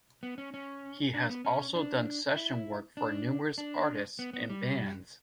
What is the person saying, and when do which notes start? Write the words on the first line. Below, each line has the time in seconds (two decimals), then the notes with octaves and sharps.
He has also done session work for numerous artists and bands.
0.23 B3
0.38 C#4
0.54 C#4
1.14 D4
1.30 B3
1.45 C#4
1.75 D4
2.36 E4
2.97 D4
3.58 D4
4.19 B3
4.33 B3
4.50 G3